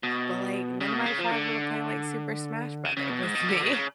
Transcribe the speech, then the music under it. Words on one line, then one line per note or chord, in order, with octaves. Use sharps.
but, like, none of my friends wanna play, like, Super Smash Brothers with me.
B2
C#3
B2
C#3
F3
D3
C#3
C#3
B2
G#2
B2
D3
B2
C#3